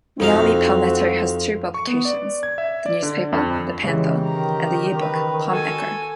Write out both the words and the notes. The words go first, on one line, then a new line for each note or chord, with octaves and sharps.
Miami Palmetto has two publications: the newspaper, "The Panther", and the yearbook, "Palm Echo".
F2 C4 D#4 F#4 F5
C#6
B3
D5
G#6
E5
D5
D3
F2
C#3 E3 G#3 G4
D#3 A#5
B4
F#4 A4 G#5